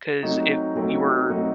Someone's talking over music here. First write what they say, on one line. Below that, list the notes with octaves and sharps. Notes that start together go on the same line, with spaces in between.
'Cause if you were
F#3 A3 C4 D#4 F#4
F#3 A3 C4 D#4 F#4
F#3 A3 C4 D#4 F#4